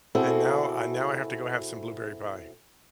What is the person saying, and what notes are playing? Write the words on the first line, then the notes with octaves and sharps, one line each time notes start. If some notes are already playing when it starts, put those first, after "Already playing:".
And now, I now, I have to go have some blueberry pie.
B2 C4 E4 F#4 G#4 A4